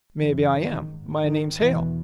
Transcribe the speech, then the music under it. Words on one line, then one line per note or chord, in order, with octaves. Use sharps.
"Maybe I am--my name's Hale."
F#2 C#3 E3
D#3
G#2
D#3
E2 B2 E3